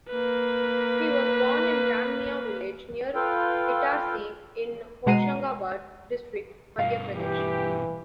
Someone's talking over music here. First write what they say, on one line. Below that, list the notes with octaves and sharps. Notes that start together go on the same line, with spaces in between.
He was born in Jamnia village near Itarsi in Hoshangabad district, Madhya Pradesh.
A#3 B4
F4 A4 B4 F5 G5
B2 G#3 F#5 A#5 C7 D#7
G2 B2 F5
E3 G4